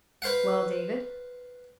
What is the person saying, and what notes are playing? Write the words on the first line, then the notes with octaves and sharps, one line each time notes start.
"Well, David."
B4 C5 F5 F#5